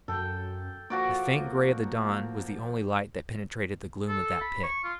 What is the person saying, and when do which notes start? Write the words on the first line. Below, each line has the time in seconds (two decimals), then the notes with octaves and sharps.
The faint grey of the dawn was the only light that penetrated the gloom of that pit.
0.08 F#2 A4 G5
0.90 F3 A#3 F#4 D5
4.08 A4
4.41 B5
4.64 C#6
4.84 F4